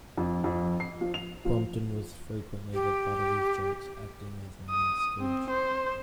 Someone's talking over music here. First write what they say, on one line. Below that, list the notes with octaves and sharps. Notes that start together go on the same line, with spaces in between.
Crompton was frequently the butt of his jokes, acting as Manning's stooge.
F2
F2
C7
F3
F7
F3
G4
D#6
C4
C5